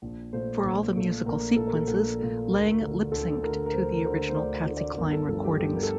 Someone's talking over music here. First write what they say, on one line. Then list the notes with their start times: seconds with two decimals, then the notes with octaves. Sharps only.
For all the musical sequences, Lange lip-synced to the original Patsy Cline recordings.
0.02 A#1
0.33 A#2 A3 C5
0.63 A#1
0.95 A#2 A3
1.26 A#1 A#4
1.56 A#2 A3 A4
1.67 A#4
1.75 A4
1.88 A#1 A4
2.19 A#2 A3
2.50 D2 A#4
2.81 D3 A3
3.12 D2 A4
3.43 D3 A3 A#4
3.66 A#4
3.73 D2 C5
3.93 A#4
4.05 D3 A3 C5
4.29 C5
4.36 D2 D5
4.66 D3 A3
4.77 D5
4.97 G1 A#4
5.13 A4
5.28 G2 F3 A3 A4
5.44 G4
5.60 G1 A4
5.75 A#4
5.83 A4